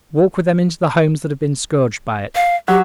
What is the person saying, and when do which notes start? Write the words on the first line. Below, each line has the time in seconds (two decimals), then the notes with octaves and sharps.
Walk with them into the homes that have been scourged by it.
2.35 F5
2.68 F#3 G4